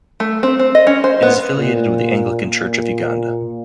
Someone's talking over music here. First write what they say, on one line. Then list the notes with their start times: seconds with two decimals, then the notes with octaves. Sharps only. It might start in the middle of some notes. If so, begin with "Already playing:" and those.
It is affiliated with the Anglican Church of Uganda.
0.20 A3
0.43 C4
0.59 C4
0.75 D#5
0.87 C#4
1.04 C5
1.22 B3
1.57 A#2
2.61 A#2